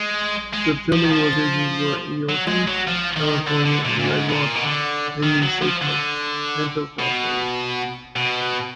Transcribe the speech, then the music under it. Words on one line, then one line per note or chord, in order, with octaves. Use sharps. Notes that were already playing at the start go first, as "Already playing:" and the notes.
The filming locations were Inyokern, California and Red Rock Canyon State Park, Cantil, California.
Already playing: G#3
G#3
F3
D#3
F3
F#3
G#3
F#3
F3
D#3
D3
D3
A#2
A#2
G#2
B2
A#2
B2
D3
D#3
F#3
F3
D3
B2
B2